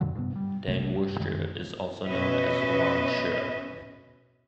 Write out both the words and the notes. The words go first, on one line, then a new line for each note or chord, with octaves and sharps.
Deng wuxie is also known as Ruan Xie.
F2 A#2 D3 F#3
G2 C3 B3
G3
B1 C3 G#3 A3
G2
F#2 D#3 G#3
B2 C#4 B4 D#5 E5